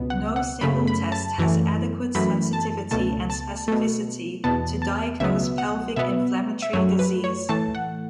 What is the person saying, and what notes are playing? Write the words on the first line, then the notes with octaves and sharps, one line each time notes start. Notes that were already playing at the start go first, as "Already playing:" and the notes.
No single test has adequate sensitivity and specificity to diagnose pelvic inflammatory disease.
Already playing: C#2 B2 B3
F#5
F#5
F#2 C#3 A3 B5
B5
A5
F#2 E3 A3
F#2 E3 A3 B5
A5
C#2 B2 A3 A5
A5
B2 A3
E2 B2 B3 A5
A5
C#2 B2 F#3 B3 E5
F#5
B2 B3 E5
E5
F#2 F#3 A3 C#5
B4
C#5
A2 E3 A3 A5
F#5